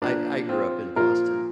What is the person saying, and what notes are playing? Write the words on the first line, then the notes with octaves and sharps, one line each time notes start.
I I grew up in Boston.
A#2 F3 A#3 D4
C4 F4
A#2 F3 F4 A#4